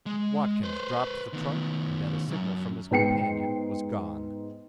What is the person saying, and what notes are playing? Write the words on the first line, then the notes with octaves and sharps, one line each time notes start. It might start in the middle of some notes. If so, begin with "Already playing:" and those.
Watkins dropped the trunk and at a signal from his companion was gone.
G#3
B4 C5
D#3 B3
B1 F#2
G#2 B3 G5 C7 C#7